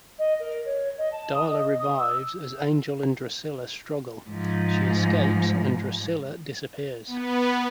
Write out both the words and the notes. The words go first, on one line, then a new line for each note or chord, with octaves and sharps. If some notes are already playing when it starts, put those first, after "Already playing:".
Darla revives as Angel and Drusilla struggle; she escapes and Drusilla disappears.
D#5
A#4
C#5
D#5
A5
D#6
D#5
D#6
E6
G#2 F3
B3